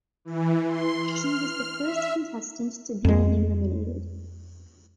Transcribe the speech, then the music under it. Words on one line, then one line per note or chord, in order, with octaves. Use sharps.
He was the first contestant to be eliminated.
E3
C6
F6
E5
F2 G#3